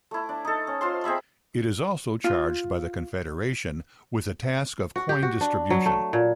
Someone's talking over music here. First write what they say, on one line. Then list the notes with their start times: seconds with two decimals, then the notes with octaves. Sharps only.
It is also charged by the Confederation with the task of coin distribution.
0.11 A3 E4
0.29 D4
0.45 D#4 A4
0.67 C#4
0.81 F4 C5 C6
1.04 C4 G#4 E5 B5
2.24 F4
4.96 F#4
5.09 G4
5.23 F#4
5.41 D4
5.70 F#3
5.86 A3
6.13 A#2